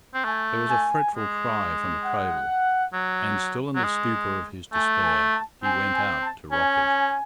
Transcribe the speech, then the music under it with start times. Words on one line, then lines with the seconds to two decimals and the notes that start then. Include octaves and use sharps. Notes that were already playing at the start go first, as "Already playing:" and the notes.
There was a fretful cry from the cradle, and, still in the stupor of his despair, he went out to rock it.
0.14 C4
0.25 A3 G#5
0.70 G#5
1.15 G#3
2.04 F#5
2.93 F#3
3.76 F#3
3.84 G#3
4.72 A3 G#5
5.02 G#5
5.32 A5
5.62 C4 G#5
5.92 G#5
6.22 A5
6.52 C#4 G#5